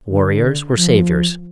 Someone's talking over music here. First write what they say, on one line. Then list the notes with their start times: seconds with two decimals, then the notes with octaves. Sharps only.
Warriors were saviours.
0.09 D3
0.76 F3